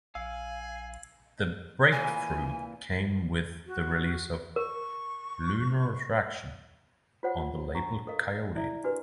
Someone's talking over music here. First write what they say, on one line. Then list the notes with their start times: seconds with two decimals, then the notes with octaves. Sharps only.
The breakthrough came with the release 'Lunar Attraction' on the label Koyote.
0.15 A#1 F5 G#5 E6
1.92 A#2 E3 G#5
3.66 F#4
4.56 A#4 C#6
7.23 F4 F#4 C5 C#5 F#5
7.37 F4
7.74 D4 A#5 C#6
8.07 A4 A#4 D#5 F5
8.55 E4 D5 E5 A#5
8.84 D4 F#4 G4 A#4 B4